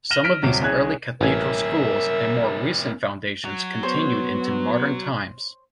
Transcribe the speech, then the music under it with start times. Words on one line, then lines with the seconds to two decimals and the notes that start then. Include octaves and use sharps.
Some of these early cathedral schools, and more recent foundations, continued into modern times.
0.11 F6 A#6 D#7 E7 F#7 G7
0.24 F6 B6 D7
0.43 D#1 C3 F#3
0.62 C2 C#4 G#4 F#6 G#6
1.21 A1 A#3 C#4 A#4 E5 G#5
3.45 F#3
3.83 B3 C5 C#5